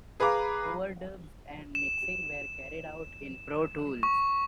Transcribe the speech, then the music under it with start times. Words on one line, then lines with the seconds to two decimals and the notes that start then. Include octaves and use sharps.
Overdubs and mixing were carried out in Pro Tools.
0.20 G#4 B4 F5 A#5 D6
1.75 E7
4.03 C#6